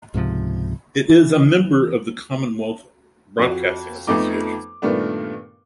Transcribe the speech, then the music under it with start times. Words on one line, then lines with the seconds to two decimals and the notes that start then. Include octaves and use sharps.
It is a member of the Commonwealth Broadcasting Association.
0.14 C#2 G#2 C3 F3
1.09 E3
3.39 F2 F#4
4.07 F2 F3 A3 B3 D#4 D6
4.82 G2 A#2 D#3 A3 B3 D4